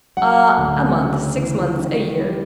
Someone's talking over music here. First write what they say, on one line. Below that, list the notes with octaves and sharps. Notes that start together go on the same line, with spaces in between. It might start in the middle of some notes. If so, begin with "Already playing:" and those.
"Ah, a month--six months--a year."
F#3 F#5
D2
C#3
E3
D#3
G3